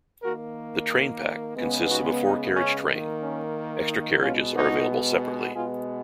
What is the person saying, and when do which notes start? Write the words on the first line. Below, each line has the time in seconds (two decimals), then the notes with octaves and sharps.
The "train pack" consists of a four-carriage train; extra carriages are available separately.
0.23 D#3 A#3 F#4 A#4
1.56 C#3 G#3 B3
1.89 D#4 F#4
2.23 D#4
2.56 C#4
2.88 D#3 A#3
3.22 C#4
3.89 D#4
4.21 B2 G#3 B3 C#4 F4
4.55 D#4 F#4
5.54 B2 G#3 B3 F4 G#4